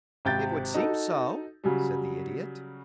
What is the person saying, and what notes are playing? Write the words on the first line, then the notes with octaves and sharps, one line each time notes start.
"It would seem so," said the Idiot.
G#1 C3 G5 G6 A6
D#4 F#4 A4
C#3 F#3 G3